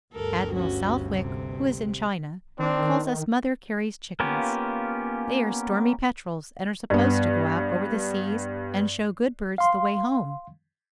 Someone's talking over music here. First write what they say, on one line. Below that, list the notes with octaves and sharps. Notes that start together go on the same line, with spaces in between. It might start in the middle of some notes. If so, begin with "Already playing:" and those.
Admiral Southwick, who is in China, calls us Mother Carey's chickens. They are stormy petrels, and are supposed to go out over the seas and show good birds the way home.
G1 D2 G2 A4 A#4
C#4 F#4
C3
D#3 C4 D4
A#3 B3 C#4 F4 G4
G2 B3
F5 C6